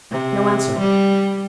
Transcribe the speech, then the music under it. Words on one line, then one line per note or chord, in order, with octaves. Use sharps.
No answer.
C3
G3